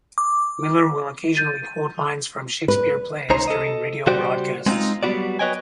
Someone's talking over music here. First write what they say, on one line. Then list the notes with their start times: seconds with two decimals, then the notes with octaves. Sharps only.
Miller will occasionally quote lines from Shakespeare plays during radio broadcasts.
0.18 D6
1.35 G6 A6 D#7
2.68 B4
3.30 C#2 D#4 C5 C#5 A#5
3.48 A4 D#5
4.07 C#3 G3 F#4 C5 D5 G5
4.66 G#3 B3 C4 D4 D#4 F4
5.03 F#3 G3 B3 E4 F#4 D5
5.39 F#4 B4 C#5 D#5 G5 G#5